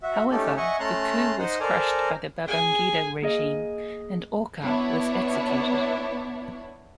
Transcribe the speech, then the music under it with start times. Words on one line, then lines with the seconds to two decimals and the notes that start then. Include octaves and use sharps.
However, the coup was crushed by the Babangida regime and Orkar was executed.
0.03 F#4 E5
0.31 A3 C#4 D#4 G4 A4
0.57 D#5 E5 F#5 G#5 C#6
0.80 A3 C#4 A5 A#5 C6 F#6
1.39 D#4 C5 D#5 F#5
1.60 A4 A#4 C5 D5 G#5 A#5
2.45 G#4 G#5
3.22 A#3 G#4 D#5
4.61 B3 D4 E4 C#5